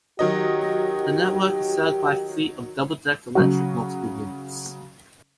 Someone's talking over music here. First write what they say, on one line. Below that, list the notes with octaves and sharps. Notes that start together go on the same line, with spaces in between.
The network is served by a fleet of double-deck electric multiple units.
D#3 F#3 G4 D#5
C#3 F#3 F#4